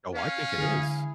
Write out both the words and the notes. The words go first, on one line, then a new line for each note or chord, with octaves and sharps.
Oh, I think it is.
C#4 F5
D3 E4 G#4